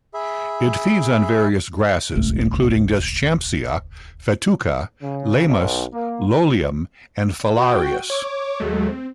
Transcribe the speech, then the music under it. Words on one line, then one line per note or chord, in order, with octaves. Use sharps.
It feeds on various grasses including "Deschampsia", "Festuca", "Leymus", "Lolium" and "Phalaris".
G#4 E5 B5
D#1 G#1 C#2 A3
C#3
B1
A#3
F#4 G5
C#5 D6
D#2 F#3 G#3 A3
C4